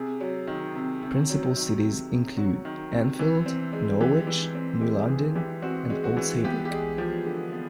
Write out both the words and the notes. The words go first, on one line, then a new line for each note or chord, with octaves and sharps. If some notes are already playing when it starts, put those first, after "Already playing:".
Principal cities include: Enfield, Norwich, New London, and Old Saybrook.
Already playing: C3 G#4
F#3
D#3
C3
C3
F#3
D#3
C3
C3
F#3 F#4
D#3
C3
E3
C4
G#3
E3 G4
E3
C4
G#3 G4
E3 G#4
E3 G4
C4 F#4
G#3
F#4
E3
B3 G4
G4
G#3 G#4
F3 G4
D3 G4
B3